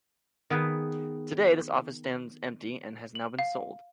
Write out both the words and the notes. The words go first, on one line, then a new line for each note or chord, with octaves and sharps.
Today, this office stands empty and has now been sold.
D#3 B3 G#4 B4
F#7
F5